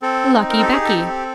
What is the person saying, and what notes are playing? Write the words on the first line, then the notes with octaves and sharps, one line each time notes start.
'Lucky Becky!
C4 A4
D#4
A#4
G4 A4
G#4
A4
C4